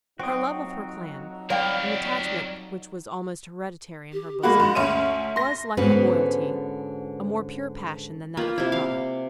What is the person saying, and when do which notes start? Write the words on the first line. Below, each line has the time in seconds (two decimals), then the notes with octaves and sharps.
Her love of her clan, an attachment which was almost hereditary in her bosom, was, like her loyalty, a more pure passion than that of her brother.
0.20 F2 F#3 C4 D#4 F#4 G5 D#6
1.50 G3 G4 A#4 C#5 D5 F5 G5
4.13 G4
4.43 G#3 A#3 F#4 B5
4.60 G#2
4.75 D2 C#4 E5 D#7
5.36 C6 A#6
5.77 G#2 D3 B3 C#4 F#4 B4
8.37 A#3 F4 B4
8.58 C3 E4
8.72 F5